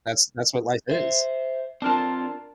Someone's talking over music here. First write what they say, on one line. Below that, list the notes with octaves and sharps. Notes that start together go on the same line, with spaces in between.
that's that's what life is.
C5 E5
C4 D4 F4 A#4 A5